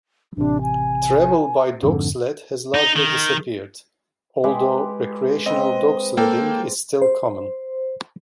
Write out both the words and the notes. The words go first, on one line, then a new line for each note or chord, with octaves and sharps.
Travel by dog sled has largely disappeared, although recreational dog-sledding is still common.
A1 C3 D4
G#5
F2 G#2 D3
D#4
D#3
G#3 G4 B4
C4 B4 D#5
A#3 A4 G5
C5